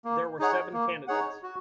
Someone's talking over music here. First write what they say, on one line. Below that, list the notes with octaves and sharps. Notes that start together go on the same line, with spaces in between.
There were seven candidates.
A#3
D#4 G#4 C#5 F#5
A#3
D#4 G#4 C#5 F#5
F#4